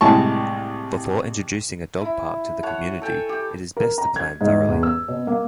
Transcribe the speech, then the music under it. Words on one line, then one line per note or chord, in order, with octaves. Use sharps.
Before introducing a dog park to the community, it is best to plan thoroughly.
C2 A2 G#3 A5 C#6
E4
C#5 F#5 A5
A4 G5 G#5
G4
A#4
A#5
G#6
G#2
E2
E6
B2
A#3